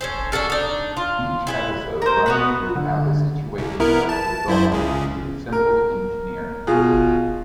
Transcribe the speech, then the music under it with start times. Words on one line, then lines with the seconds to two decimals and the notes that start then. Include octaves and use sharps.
Each episode runs through how the situation was resolved through simple engineering.
0.01 C#4 A4 C5
0.32 D4 F#4 A4 A#4
0.50 D4 D#4
0.97 F4
1.47 E4 G#4 B4
2.02 A#4 C5
2.26 B3 F#4 B4
2.75 D3
3.58 C2
3.80 B3 E4 A#4
4.09 A5
4.48 F#2 E4 C5
4.72 C#2 C#3
5.52 A#4
6.67 B2 F4 G#4